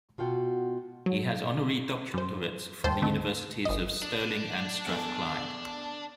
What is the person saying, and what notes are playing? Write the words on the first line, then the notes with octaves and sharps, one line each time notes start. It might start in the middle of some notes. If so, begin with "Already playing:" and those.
He has honorary doctorates from the Universities of Stirling and Strathclyde.
B2 F4 F#4 G5
F#3
F#2 C5
D#2 C5 G5 A5
D3 A3 C4 D#4
G1 D#5
D4
E2 E3 A3